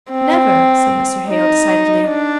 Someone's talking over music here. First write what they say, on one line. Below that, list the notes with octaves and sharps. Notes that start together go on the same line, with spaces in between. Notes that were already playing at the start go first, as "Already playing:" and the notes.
'Never!' said Mr. Hale, decidedly.
C4
D#4
D4